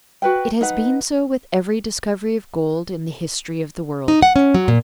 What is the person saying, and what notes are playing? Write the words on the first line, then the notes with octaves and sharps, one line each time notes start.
It has been so with every discovery of gold in the history of the world.
F#4 B4 G5
D#4 B4 F#5
D#4
F#5
C#4
F#3
A#2